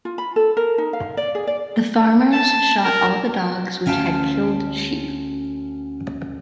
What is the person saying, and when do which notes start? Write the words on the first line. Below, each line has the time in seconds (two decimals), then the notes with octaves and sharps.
The farmers shot all the dogs which had killed sheep.
0.05 F4
0.18 B5
0.36 A4
0.57 A#4
0.78 D#4
0.93 F5
1.17 D5
1.35 G#4
1.47 D5
2.32 A5
2.83 A#4
3.86 D2 C#4 F5 G5 A5